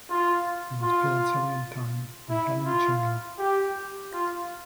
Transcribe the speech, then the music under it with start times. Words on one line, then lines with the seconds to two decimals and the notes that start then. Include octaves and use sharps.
He was paired several times with Helen Chandler.
0.09 F4
0.82 F4
2.30 E4
2.66 F4
3.39 G4
4.13 F4